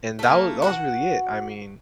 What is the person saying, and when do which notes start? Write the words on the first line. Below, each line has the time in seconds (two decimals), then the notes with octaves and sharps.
and that wa that was really it, I mean
0.19 A3 A#3
0.62 F#4 F#5